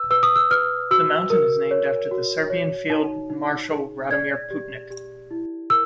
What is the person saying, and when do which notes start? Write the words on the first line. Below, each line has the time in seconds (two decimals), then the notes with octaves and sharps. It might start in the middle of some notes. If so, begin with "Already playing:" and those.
The mountain is named after the Serbian Field Marshal Radomir Putnik.
Already playing: B4 E6
0.10 B4 E6
0.23 D#6
0.36 E6
0.51 B4 F6
0.91 F#4 E6
1.30 A#4
1.71 C#5
2.11 F#4
2.50 C#5
2.90 D#4
3.30 D#4
3.70 G#4
4.11 D5 G#6
4.50 G4
4.91 G4
5.31 E4
5.70 A#4 E6